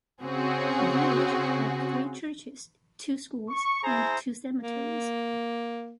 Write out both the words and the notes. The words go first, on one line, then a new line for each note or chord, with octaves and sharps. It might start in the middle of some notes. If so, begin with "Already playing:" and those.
The Village had three churches, two schools, and two cemeteries.
C#3 C4 C#4 F#4 G#4
C#6
E4 G#4 C5 G#5 A#5
A#3